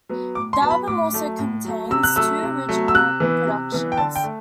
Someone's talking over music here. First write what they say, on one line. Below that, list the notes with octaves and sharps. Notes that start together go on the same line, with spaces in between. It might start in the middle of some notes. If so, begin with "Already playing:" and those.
The album also contains two original productions.
F#3 B3
A2 D6
C6
F#3 B3 A5
B5
A2 D6
F#3 A3
A2
F#3 A3
C3 E6
F#6
F#3 A3 E6
C3
F#3 A3
E6
C3 F#6
E3 B3
C3
E3 B3
G5
D3 A5
G5
A3